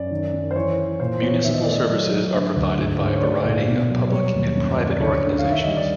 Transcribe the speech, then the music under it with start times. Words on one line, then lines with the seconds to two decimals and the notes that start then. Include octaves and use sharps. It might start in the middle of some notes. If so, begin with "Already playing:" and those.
Municipal services are provided by a variety of public and private organizations.
Already playing: F#2 D5
0.11 D#3
0.33 F#2
0.51 C5
0.56 E3 C#5
0.78 E3
1.00 A#2 C5
1.22 B3 C#5
1.44 D#3 E5
1.55 D#5
1.63 A3 D5
1.73 D#5
1.89 F#3
2.11 F#3
2.33 D3 E5
2.56 D2
2.78 G#2
3.00 G#2
3.07 C5
3.15 C#5
3.22 A3 D5
3.45 A#2
3.66 B2
3.90 F#3
4.11 G3 C#5
4.34 D#2
4.56 F#2
4.79 C#3
4.91 D5
5.00 D2 C#5
5.23 D3
5.39 F5
5.45 D#3
5.52 E5
5.64 G3 D#5
5.77 D5